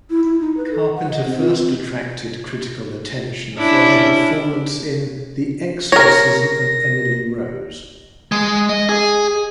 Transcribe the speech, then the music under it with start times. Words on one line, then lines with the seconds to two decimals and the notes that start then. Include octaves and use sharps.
Carpenter first attracted critical attention for her performance in "The Exorcism of Emily Rose".
0.10 E4
0.25 E4
0.40 D#4
0.57 B4
0.71 A4
0.95 F#5
1.11 D#5
1.26 C4
1.40 F4
1.58 C4
3.57 C#4 D4 E4
5.92 A#4 C#5 A#6
8.32 G#3
8.69 D#5
8.89 G#4